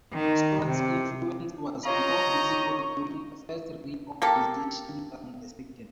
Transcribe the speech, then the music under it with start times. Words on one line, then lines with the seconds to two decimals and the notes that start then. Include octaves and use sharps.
Stewart's influence was more visible during the first reorganization than the second.
0.13 D#3
0.63 C3
1.85 F4 G4 C#5 D#5 F5 A#5 C#6
4.22 A#3 G4 A4